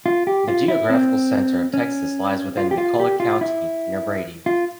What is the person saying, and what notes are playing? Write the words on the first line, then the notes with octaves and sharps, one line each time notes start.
The geographical center of Texas lies within McCulloch County, near Brady.
F4
G4
F4
E4
C4
C#4
F4
G4
F4
G4
F4
E4
F4